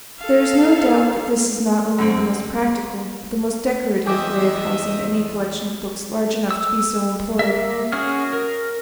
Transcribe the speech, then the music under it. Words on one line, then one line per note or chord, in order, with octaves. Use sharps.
There is no doubt that this is not only the most practical, but the most decorative, way of housing any collection of books large enough to be so employed.
A4 F5
F#2 D3 C4
E2 D#5 E5 G5 D6
E6
A#3 A#4 E5
C#4 F#4 G#4 F6
A#4